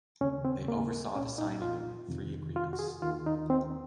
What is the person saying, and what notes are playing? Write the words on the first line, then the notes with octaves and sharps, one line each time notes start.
They oversaw the signing of three agreements.
D#2 C#3 C#4
C4
A#3
C2 A#2 C#4
D#4
F4
F2 C3 D#3
F4
F#4
G#4
D#2 D#3 F4
D#4
C4